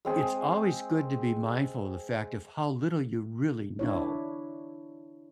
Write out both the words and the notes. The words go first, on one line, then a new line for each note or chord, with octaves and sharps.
it's always good to be mindful of the fact of how little you really know.
G#3 C4 G#4
D4 E4 C#5